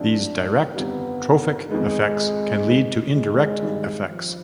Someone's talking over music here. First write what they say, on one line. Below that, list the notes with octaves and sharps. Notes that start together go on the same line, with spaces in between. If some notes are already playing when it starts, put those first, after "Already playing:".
These direct, trophic, effects can lead to indirect effects.
Already playing: D2 C3 F3 D4
G1 F2 C3 D#3 G3 B3
F2 D#3 G#3 B3
F2 D#3 B3 D#4
G#3
G#1 G2 D#3 G3
F3